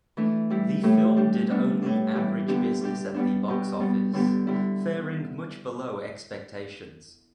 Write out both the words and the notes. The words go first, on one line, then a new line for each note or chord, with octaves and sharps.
The film did only average business at the box office, faring much below expectations.
E3 A3 D4
G3 E4 G4
A2 A3 G4
G3 D4 G4
G3 B3 D4
A2 G3 D4
E3 G3 E4 G4
D3 B3 D4 G4
G3 D4 G4
G3 B3 D4
B2 B3 G4
G3 B3 G4
D3 G3 B3 D4 G4
D3 G3 E4